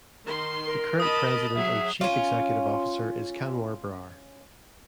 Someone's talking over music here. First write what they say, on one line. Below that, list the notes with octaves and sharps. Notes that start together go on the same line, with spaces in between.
The current President and Chief Executive Officer is Kanwar Brar.
D#3 C6
A#4
D#5 A5 B5 D#6
F#3 G#4 E5
C#4 F4